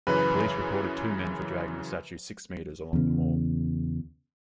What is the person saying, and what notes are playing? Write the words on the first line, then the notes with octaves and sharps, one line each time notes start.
Police reported two men for dragging the statue six metres along the mall.
F#2 C#3 E3 B4
E2 C#3